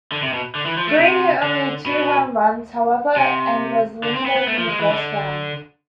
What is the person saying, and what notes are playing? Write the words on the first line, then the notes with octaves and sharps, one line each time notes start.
Green hit only two home runs, however, and was eliminated in the first round.
D3
C3
B2
D3
E3
F3
A3
C3
D3
B2
C3
D3
C4
B3
B3
A3
F3
G#3
E3
D3